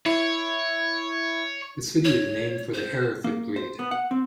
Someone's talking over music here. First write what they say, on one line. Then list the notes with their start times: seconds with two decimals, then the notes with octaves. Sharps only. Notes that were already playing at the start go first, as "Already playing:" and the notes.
The city is named for the Hereford breed.
0.06 E4 C#5
2.05 C#5
2.74 C5
3.24 A#3
3.56 C5
3.79 B3
3.91 F#5
4.11 C4